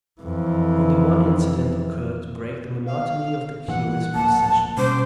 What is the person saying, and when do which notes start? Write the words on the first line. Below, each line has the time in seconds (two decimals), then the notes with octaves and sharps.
Only one incident occurred to break the monotony of the curious procession.
0.21 F2 E3
2.86 F5
3.68 G2 A#2 E3 F#5
4.14 D1 A#1 A#3 A5
4.77 B2 G3 C#4 C5 D6